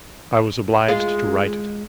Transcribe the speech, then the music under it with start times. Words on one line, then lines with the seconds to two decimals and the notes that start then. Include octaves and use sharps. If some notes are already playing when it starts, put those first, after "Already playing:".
I was obliged to write it.
0.88 G#3 F4